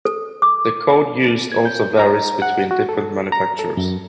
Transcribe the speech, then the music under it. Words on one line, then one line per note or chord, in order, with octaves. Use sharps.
The code used also varies between different manufacturers.
A4
D6
G#6
G6
A#5
F#5
F#4
A4
A#5
A4
F#2